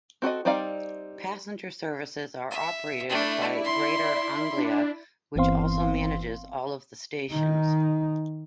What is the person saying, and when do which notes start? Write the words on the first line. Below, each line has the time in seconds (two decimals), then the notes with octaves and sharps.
Passenger services are operated by Greater Anglia, which also manages all of the stations.
0.22 C4 F#4 A4 D#5
0.45 G3 C4 D#4 D5 F5
2.51 E5
3.10 A3 D4 E4 D5
3.64 C6
4.58 D4
5.36 G1 E3 B3 C4 F5 C6
7.31 D#3 D#4